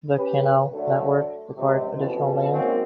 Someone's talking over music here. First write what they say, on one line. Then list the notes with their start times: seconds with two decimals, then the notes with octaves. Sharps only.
The canal network required additional land.
0.17 C#4 G4 B4
0.73 D2 D3 F#3 A3
1.57 C#2 C3
1.98 A1 F2 B2
2.52 D#3 G#3 A#3 C4 C#4 F#4